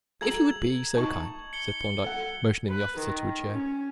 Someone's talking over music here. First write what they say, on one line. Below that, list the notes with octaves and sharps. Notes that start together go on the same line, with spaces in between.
"If you would be so kind," said Thorndyke, motioning the officer to a chair.
G#4 A4 A#5 G#6 F#7
D#4 A5 C#6
C#7 G7
A4 F#5
B4
D#3
C#4